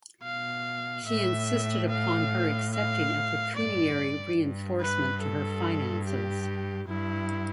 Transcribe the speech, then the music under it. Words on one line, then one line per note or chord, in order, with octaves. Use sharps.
He insisted upon her accepting a pecuniary reinforcement to her finances.
B2 F5
A2 E5
F5
F5
G2 D5
G2
B4
A4
G4
G2 E4